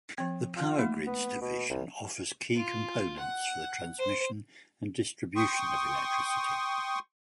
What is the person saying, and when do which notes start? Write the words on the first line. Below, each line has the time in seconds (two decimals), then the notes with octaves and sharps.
The Power Grids division offers key components for the transmission and distribution of electricity.
0.18 F3 C4
0.57 F4
0.79 A3 A#3 D#4
1.07 B3
1.41 B2
1.70 C2
2.56 F4
3.19 F#5
3.99 C5
5.36 G5 C6 C#6 D#6